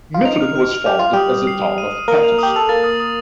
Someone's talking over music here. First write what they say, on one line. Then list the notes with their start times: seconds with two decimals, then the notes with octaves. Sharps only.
Mifflin was founded as the town of Patterson.
0.14 F4
0.25 D#4 F7
0.41 F6
0.56 F6
0.71 F7
0.86 G4 F7
0.99 F4 F7
1.13 G3 G4 D#6
1.32 D#6
1.47 C7
1.62 C7
1.78 D#7
1.93 D#7
2.08 A#3 A#4 D#6
2.23 F7
2.39 G4 D#6
2.54 A4 F7
2.69 A#3 A#4 A6
2.84 D#6
3.00 D#6